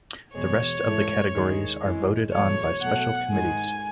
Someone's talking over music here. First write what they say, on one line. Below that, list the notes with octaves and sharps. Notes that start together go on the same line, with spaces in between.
The rest of the categories are voted on by special committees.
E2 B2 G#3 C#5
G#2 E3 A3
D#2 D#3 G#3
F#2 E3 G#3
E2 B2 F#3 A3 C#5
B2 F#3 A3 F#5
G#2 D#3 G#3 G#5